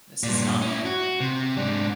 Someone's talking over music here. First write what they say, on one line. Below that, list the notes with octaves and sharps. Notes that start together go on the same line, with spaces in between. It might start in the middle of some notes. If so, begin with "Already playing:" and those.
This is not
G2 A#2
C#4 E4
F#4
C3
G#2 D4